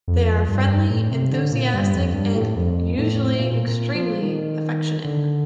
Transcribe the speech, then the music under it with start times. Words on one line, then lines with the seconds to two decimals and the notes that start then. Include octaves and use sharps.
They are friendly, enthusiastic and usually extremely affectionate.
0.08 F2
0.49 G2
0.90 A2
1.11 C3
1.32 D3
1.52 A#2
1.73 G2
1.94 F2
2.14 G2
2.36 A2
2.56 F2
2.98 A2
3.39 A#2
3.67 A#2
3.94 F3
4.22 D#3
5.05 D3